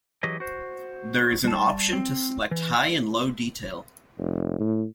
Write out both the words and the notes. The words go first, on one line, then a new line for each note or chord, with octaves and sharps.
There is an option to select high and low detail.
E3 F#3 G4 G#4 D#5
F#4 C5
G3 A5
C4
E3
F1
A2